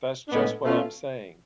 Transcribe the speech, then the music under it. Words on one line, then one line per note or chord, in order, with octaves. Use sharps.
That's just what I'm saying.
A2 G#3 B3 D4
B2 A3 C#4 F4